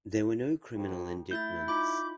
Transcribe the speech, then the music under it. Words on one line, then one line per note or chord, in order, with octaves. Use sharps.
There were no criminal indictments.
F2
A3 E4 E5 G6 A6
D#4 F4 B5 D6